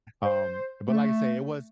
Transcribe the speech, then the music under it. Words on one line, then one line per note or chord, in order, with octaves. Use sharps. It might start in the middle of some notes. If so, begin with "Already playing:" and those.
um, but, like I say, it was
C5
A3